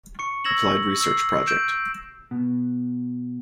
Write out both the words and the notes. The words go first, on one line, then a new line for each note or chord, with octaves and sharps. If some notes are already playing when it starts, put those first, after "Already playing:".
Applied Research Project.
C#6 C#7
C#6 E6 G#6 A#6 E7 F#7
E6 C7
G6 D7 E7
B2